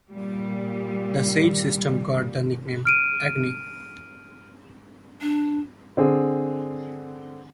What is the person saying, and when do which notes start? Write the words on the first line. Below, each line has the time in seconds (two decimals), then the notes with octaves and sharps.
The Sage system got the nickname "Agony".
0.11 A#2 G3
2.85 F6 D7 D#7
5.21 D4
5.97 D3 C4 G#4